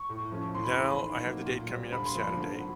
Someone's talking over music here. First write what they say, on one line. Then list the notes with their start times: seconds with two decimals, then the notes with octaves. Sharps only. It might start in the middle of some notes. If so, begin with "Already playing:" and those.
now I have the date coming up Saturday,
Already playing: C#6
0.09 A2
0.32 F3 A3 C#4
0.55 E3 C6
0.64 B5
0.73 C6
0.78 A3 C4
1.01 D#3
1.23 F#3 A#3
1.46 A#2
1.69 G3 C4
1.92 D3 B5
2.06 C6
2.15 F3 A#3 D4 F4 B5
2.38 D3
2.60 F#3